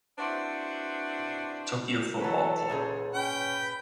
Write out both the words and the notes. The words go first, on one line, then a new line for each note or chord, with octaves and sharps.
Tokyo football club.
C4 D4 E4 F#4 B4 C5
E3 F#3 A4 B4
C#2 A#2 C#3 G#4
C#4 B4 G5